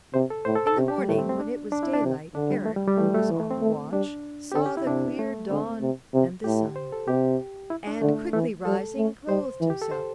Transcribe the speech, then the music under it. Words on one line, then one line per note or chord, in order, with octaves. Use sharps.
In the morning, when it was daylight, Erec, who was on the watch, saw the clear dawn and the sun, and quickly rising, clothed himself.
C3 C5
A4
A2 C5
A4
A4
C3 G4
G4
G3
A2 A3
C4
C4
D4
D4
E4
D4
C3
D3 D4
G3
A3
G3
G3
E3 A3
A3
E3
A3
C4
A3
G3 D4
G4
D3 A4
G4
E4
C3 D4
A3
D3 C4
C3
C3
A2 G4
C5
A4
C3 G4
E4
D4
D3 A3
E3 A3
G3 A4
A3
G3 C5
E3
G4
A4
C5